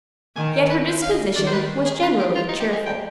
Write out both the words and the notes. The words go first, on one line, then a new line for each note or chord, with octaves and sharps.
Yet her disposition was generally cheerful.
D#3 G#5
G5
B4
C5
F5
D#5
D#3 D5
C5
B4
G#4
B4
G4
F4
D#4
G4
G#4
G5